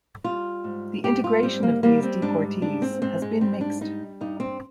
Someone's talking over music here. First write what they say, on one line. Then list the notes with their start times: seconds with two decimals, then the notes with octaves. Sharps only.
The integration of these deportees has been mixed.
0.24 G3 F4
0.64 G#2
1.04 G#2 G4
1.24 F4
1.43 G3 C4
1.63 A#3
1.83 G3 A#3
2.03 C4
2.22 G#2 D4
2.62 G#2 D4
2.82 C4
3.02 G#2 C4
3.22 G#3
3.41 G3 C4
3.61 D4
3.81 G3 D#4
4.21 G2 D#4
4.40 C4